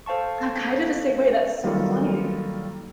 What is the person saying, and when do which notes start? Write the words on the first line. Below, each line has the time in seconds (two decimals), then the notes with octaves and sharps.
I'm, kind of, the same way. That's so funny,
0.06 A4 C5 F5 A5 C#6
1.64 D#3 F#3 G3 A#3 F4 A4